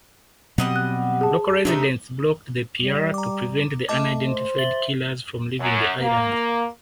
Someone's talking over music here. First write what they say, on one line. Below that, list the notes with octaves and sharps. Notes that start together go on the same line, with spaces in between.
Local residents blocked the pier to prevent the unidentified killers from leaving the island.
B2 F#3 G3 C4 D#5 F#5
F#6
G#4 A5
C3 A3 D4 D#4
G3
A#5 D6
A3 D#5 A5 D6
C5
E5 A6 F#7 G7
F#2
A#3